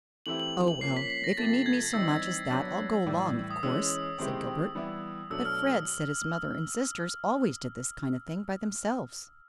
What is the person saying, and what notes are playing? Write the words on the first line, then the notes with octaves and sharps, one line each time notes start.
"Oh, well, if you need me so much as that I'll go along, of course," said Gilbert, "but Fred said his mother and sisters always did this kind of thing by themselves."
E3 A3 C4 E4 G4 F#7
F#7
F#7
F3 A#3 C#4 C7
B6
B6
A#6
C3 F3 A3 A6
G#6
E3 G3 C4 D#4 E6
F#3 B3 D4
A2 E3 G3
D#6
E3 G#3 C#4 E6
D#3 G#3 C4 E4 G4
E3 G3 B3 E4
B2 F#3 A3 D4 E6
F6